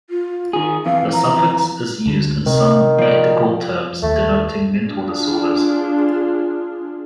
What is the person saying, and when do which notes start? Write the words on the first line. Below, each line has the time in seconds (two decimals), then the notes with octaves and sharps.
The suffix is used in some medical terms denoting mental disorders.
0.10 F4
0.53 D#3 G#4
0.86 F2 E3 F5
1.13 A#5
2.06 D2 D3
2.46 C3 D#3
2.98 F3 D5
4.03 D#2 A3
4.85 D4 F4 G#4